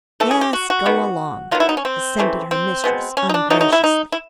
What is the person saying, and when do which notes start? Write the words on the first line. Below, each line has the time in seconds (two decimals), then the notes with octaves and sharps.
"Yes, go along," assented her mistress ungraciously.
0.20 E3 A3 A4
0.31 G#4
0.41 G4
0.53 F#4
0.70 F#4
0.86 D#3 G3 B3
1.51 D#3 F#3 B3 F4
1.60 E4
1.69 D#4
1.77 C#4
1.85 C4
2.19 C#3 E3 A3
2.51 C4
2.84 B2 G#3 B3
3.17 C#4
3.29 D#4
3.34 D4
3.50 B2 F#3 A3 D#4
3.61 D#4
3.72 E4
3.84 D#4
4.12 E4